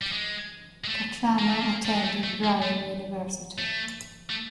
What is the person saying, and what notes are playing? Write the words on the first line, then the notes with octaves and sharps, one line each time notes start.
Cattrano attended Brown University.
G3
G#3
G#3
A3
A#3
A3
A#3
G3
G#3
A3
A3
A#3
A3
A3
A3